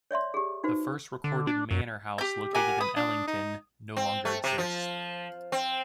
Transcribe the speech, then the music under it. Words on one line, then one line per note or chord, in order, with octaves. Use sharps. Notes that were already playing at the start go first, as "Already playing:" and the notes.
The first recorded manor house located in Ellington no longer exists.
C#5 D5 E5 C6
G4 G#4
D#4 F#4 B4 C5
D3
D4
F#2
G4 G6
G4 A#4 F#5 G#5
B4 D#6
D4
D#4
C4
A3
C3
F3
C4